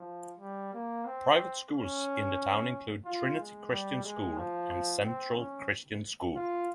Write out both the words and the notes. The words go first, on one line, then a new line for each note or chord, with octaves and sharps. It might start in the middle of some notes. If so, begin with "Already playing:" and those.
Private schools in the town include Trinity Christian School and Central Christian School.
Already playing: F3
G3
A#3
C4
C#4
F4
G#3
G3
G#3
F3
C4
C#4
F4